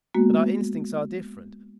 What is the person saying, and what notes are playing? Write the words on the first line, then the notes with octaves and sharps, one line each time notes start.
But our instincts are different.
G#3 A#3 B3 F#4